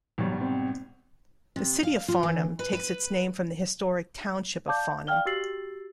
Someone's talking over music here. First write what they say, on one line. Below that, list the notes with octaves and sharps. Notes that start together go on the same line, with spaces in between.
The city of Farnham takes its name from the historic Township of Farnham.
G#1 B2 F#3 G3
C4
C3
F5
F4
E3
B4
B4
D5 F5 A5 D6 G6
D5 F5 G5 F6 G7
F#4 G4 E6 A6 C7 F#7